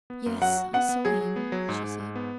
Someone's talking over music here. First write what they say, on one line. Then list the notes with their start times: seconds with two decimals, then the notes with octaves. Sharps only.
"Yes, I saw him," she said.
0.10 B3
0.26 F#2
0.42 F#3 F#5
0.57 F#4
0.73 B3 F#5
0.89 B3
1.05 F#3 G#4
1.21 F#3
1.36 B3
1.52 F#3
1.69 G#2
1.84 G#2
2.00 G#2
2.15 B3